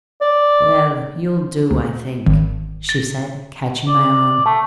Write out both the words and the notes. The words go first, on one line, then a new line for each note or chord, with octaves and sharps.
'Well, you'll do, I think,' she said, catching my arm.
D5
D2
G#1
A6
D5
A3 A5